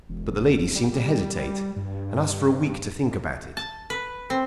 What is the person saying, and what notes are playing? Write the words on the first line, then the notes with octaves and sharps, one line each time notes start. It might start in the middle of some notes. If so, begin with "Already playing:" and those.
But the lady seemed to hesitate, and asked for a week to think about it.
E1
G3
G2
A5
B4
C4